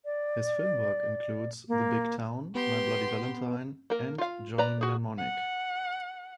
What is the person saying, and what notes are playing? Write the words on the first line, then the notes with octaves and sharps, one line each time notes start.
His film work includes "The Big Town", "My Bloody Valentine" and "Johnny Mnemonic".
D5
A#3
B3 G4 C6
A#3 A#4
F4 F5
B4 D5 A#5
F#4 G#4
F#5